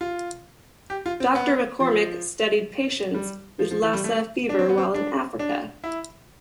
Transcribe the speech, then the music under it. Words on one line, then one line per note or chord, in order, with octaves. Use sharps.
Doctor McCormick studied patients with Lassa Fever while in Africa.
F4
G4
F4
C4
B3
F3
G3
F3
F3
E3
G3
A3
D4
C4
B3
C4
D4
D4
E4